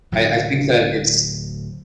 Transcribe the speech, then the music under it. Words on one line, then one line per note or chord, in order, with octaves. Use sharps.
I I think that it's
D1 D3 F#3